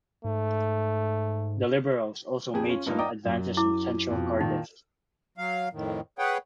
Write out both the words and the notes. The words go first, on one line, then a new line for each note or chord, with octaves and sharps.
The Liberals also made some advances in central Cardiff.
G#2 A3
F2 G4 G#4
C#4 F4
G2 A#3 D#4 F4
D5 D#5 G5 A#5 D6 D#6
F#2
E4 D6
F2 B2
A#2 D#3 D#4
F#3 F5
F2 A2 D#3
G#4 B4 C#5 F#5 G5